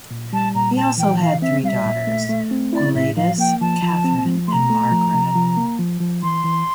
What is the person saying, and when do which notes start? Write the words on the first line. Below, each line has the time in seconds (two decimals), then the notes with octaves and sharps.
He also had three daughters, Gwladus, Catherine and Margred.
0.11 A#2
0.33 G3 A5
0.54 A#2 A#5
0.76 A#2 A5
0.98 E3 G5
1.20 E3 F5
1.42 C4 E5
1.63 G3 F5
1.68 E5
1.86 A#2
2.07 A3
2.29 A3
2.51 C4
2.73 E4 D5
2.94 A2 E5
3.16 F3 F5
3.38 A#3 G5
3.61 F3 A5
3.83 F3
4.04 C4
4.25 F3
4.47 A3 A#5 C6
4.70 A3
4.91 F3
5.14 C3
5.35 F3
5.57 A#3
5.79 F3
6.00 F3
6.23 E3 C6
6.44 E3